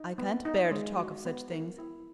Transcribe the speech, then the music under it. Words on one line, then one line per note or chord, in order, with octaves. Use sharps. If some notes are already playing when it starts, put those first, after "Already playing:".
I can't bear to talk of such things.
Already playing: D#4
B3
D#4
G#3
F#4
B3
A#4
E4